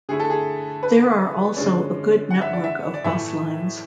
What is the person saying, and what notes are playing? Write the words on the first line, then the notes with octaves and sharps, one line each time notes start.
There are also a good network of bus lines.
D3 A3 E4 G#4
A4
G#4
B4
D3 G#3 C#4 D5
F#5
E5
D5
E5
D5
A2 E3 A3 E5